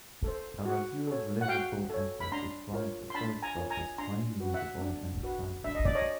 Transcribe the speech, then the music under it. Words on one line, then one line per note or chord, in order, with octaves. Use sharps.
A review of "Liverpool Echo" described the first book as "highly readable and exiting".
A4 C5
F#4
A4 C#5
F#5
F#4 F5 G5
A4 C#5
B5
D4 A#5 C6
F4 A#4 C#5
C6
D4 A5 B5
G#5 A#5
F4 A#4 C#5
G#5 A#5
D4 A#5 C6
F#4 B4
E5 F#5
D4
F#4 B4
D4 E5
D#5
D5
C#5 D#5